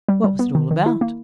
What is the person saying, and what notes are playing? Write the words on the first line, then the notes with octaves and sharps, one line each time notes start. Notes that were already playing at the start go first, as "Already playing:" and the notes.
"What was it all about."
G3
G3
B3
D#3
D#3
E4
A#3